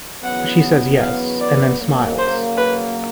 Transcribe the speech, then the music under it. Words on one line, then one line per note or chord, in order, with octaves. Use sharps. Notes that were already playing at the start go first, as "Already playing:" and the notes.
She says yes, and then smiles...
E2 C#3 F#3 B3 F#5
F5
D5
C#3 F#3 A#3
C5
B4